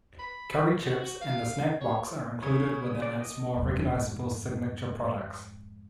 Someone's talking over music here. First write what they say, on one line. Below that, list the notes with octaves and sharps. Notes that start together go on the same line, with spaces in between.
Curry Chips and The Snack Box are included within its more recognisable signature products.
B5
F#4
F#4
F5
C#5
C#3 C#5
D5
D#5
E1 F#2
F2 G#2